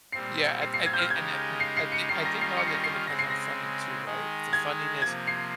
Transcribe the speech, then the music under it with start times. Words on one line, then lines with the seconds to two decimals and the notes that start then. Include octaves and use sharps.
Yeah. I I an anc I think I think all that it depends on funding too, right? If the funding is
0.12 A#2 G3 C4 C7
0.62 C7
0.74 C7
0.86 G#6
0.93 G6
0.98 F6
1.10 C#3 G#3 D#4 G4 A#4 G#6
1.60 C7
1.77 C7
1.92 C#7
2.09 D#3 G3 C#4 F4 A#4 C7
2.26 A#6
2.41 C7
2.57 C#7
2.67 C7
2.74 A#6
2.84 C7
3.07 C#3 G#3 C4 A#6
3.19 C7
3.30 A#6
4.05 D#3 G#3 D#4 G#4
4.53 G#6
5.02 C3 F3 A#3 G#6
5.27 C7